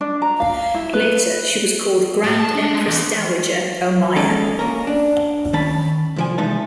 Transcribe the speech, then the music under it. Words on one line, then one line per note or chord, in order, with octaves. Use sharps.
Later, she was called Grand Empress Dowager Omiya.
D4
A#5
F5
E4
B4
A2
A5
D4
G#3
E2
G#3 C#4 D#4 A4
A#3 C#4 A#4
D4
D#3 C#4 A5 B5
C2 F3 G#5
C3 E3 G#3 D#4 B4 A5